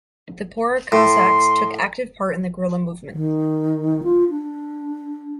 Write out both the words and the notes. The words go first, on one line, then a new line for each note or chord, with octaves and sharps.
The poorer Cossacks took active part in the guerrilla movement.
A2 C6
D#3
F4
D4